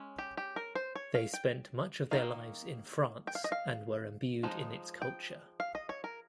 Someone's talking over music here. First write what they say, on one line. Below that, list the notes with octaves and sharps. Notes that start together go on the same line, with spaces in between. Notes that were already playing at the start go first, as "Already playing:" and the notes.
They spent much of their lives in France and were imbued in its culture.
Already playing: G#3 C#4
G4
G4
A#4
C5
C#5
F5
G5
D#3 A#3 D#4 F5
G5
F5
D#5
F5
F3 G#3 D#4
G5
F5
D#5
C#5
A#4